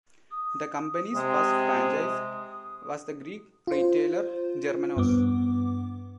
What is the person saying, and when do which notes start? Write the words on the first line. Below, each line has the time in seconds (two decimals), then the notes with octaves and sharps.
The company's first franchisee was the Greek retailer Germanos.
0.31 D#6
1.16 C3 G#3
3.67 F4 C5
4.97 G2 B3 D6